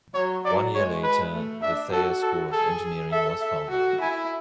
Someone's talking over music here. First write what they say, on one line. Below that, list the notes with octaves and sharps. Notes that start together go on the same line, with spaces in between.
One year later, the Thayer School of Engineering was founded.
F#3 C#5
F#3 D5
G#3 C#5
B4
A3
D4 E5
F#4 A4
A4
G#4 A4
A4 E5
E5
F#4
E4 G#5